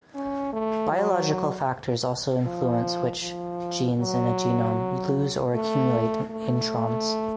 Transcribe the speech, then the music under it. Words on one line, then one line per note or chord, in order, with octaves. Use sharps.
Biological factors also influence which genes in a genome lose or accumulate introns.
C#4
A3
F#3
F3
F3
F#3
A3
A3